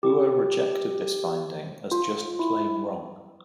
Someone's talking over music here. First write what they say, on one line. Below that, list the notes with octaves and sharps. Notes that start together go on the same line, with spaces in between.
Bua rejected this finding as just plain wrong.
G4
F4
E4